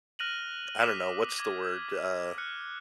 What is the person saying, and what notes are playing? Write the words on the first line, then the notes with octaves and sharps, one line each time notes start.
I don't know. What's the word, uh
F6 F#6 A#6 D#7 F7 F#7
D6 D#6 F6 F#6 B6 D#7
D6 G#6 A#6
F6 F#6 C#7